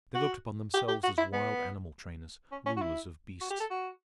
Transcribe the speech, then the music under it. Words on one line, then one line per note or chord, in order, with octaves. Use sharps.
They looked upon themselves as wild-animal trainers, rulers of beasts.
F#4
G4
G4
F#4
E4
B3
C#4
C#4
F#4
E4
F#4
G4
A4
F#4